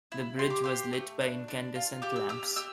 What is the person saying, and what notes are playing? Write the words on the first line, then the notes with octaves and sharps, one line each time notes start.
The bridge was lit by incandescent lamps.
E4
G4 C6
D6
G4 C6
A3
D4
D4
F4
G4 D6
E6
G4 E6
F6
G4 E6